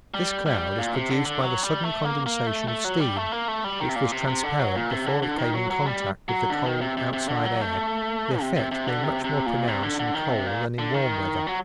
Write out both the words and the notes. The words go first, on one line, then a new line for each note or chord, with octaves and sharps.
This cloud is produced by the sudden condensation of steam, which was transparent before it came in contact with the cold, outside air, the effect being much more pronounced in cold than in warm weather.
G3
G3
A#2
C3
D3
D3
F#3
G3
A3
A#3
A#3
A3
A3
F#3
G3
A3
A#3
A3
G3
D#3
C3
A#2
C3
C3
D3
F#3
A#2
C3
D3
D3
D#3
F#3
F#3
G3
F#3
D3
D#3
C3
C3
C3
D3
F#3
A3
C3
C3
C3
D3
C3
C3
A#2
C3
D3
D3
D#3
C3
A#2
D3
D#3
F#3